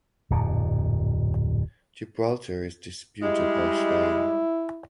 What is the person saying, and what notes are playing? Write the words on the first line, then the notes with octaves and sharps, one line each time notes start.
Gibraltar is disputed by Spain.
D1 F2 A#2
G3 G#3 E4